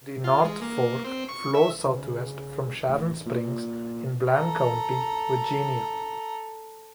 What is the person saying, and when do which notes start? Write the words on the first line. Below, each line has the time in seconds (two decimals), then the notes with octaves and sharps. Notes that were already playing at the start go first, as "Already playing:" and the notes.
The North Fork flows southwest from Sharon Springs in Bland County, Virginia.
0.24 F4
0.44 G#3
0.62 A#3
1.04 C4
1.29 C#6
1.54 E5
1.86 C#3
2.88 A1
3.26 A#2
4.32 A4 A#5